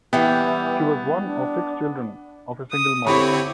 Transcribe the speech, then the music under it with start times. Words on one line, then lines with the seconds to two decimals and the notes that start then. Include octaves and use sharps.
She was one of six children of a single mother.
0.13 E3 G3 B3 E4 G4
1.24 D4
2.72 D#6
3.06 D3 C4 E4 G4 C#5 B5 C#6